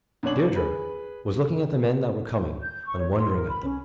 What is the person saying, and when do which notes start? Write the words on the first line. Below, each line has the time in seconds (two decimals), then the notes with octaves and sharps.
Deirdre was looking at the men that were coming, and wondering at them.
0.23 F#2 B2 D4 C#5 F#7
0.55 G#4 B4
2.61 G6
2.84 C#6
2.98 C#5
3.13 C6
3.32 A#4
3.49 B5
3.64 C#4